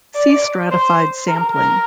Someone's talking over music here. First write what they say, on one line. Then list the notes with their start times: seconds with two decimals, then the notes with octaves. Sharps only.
See stratified sampling.
0.15 D5
0.71 C5
1.28 A#4
1.56 A#4